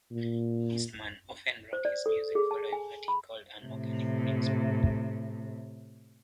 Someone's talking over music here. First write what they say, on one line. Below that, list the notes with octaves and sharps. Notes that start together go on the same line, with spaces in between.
Eastman often wrote his music following what he called an "organic" principle.
A#2
C5
D5
A4
G#4
A5
G#5
B5
A2 C3